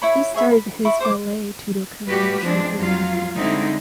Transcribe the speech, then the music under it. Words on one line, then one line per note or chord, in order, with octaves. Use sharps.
He started his vale tudo career shortly after.
E4 C#5 B5
G#4 C#5 E5 B5
B5
E4 B5 C#6
C5 C#6 D6
A2 G3 F#4 G4 B4
F3 G#3 C4 D4
F2 F#3 F4 F5
D3 G3 G#3 C4 D#4 E4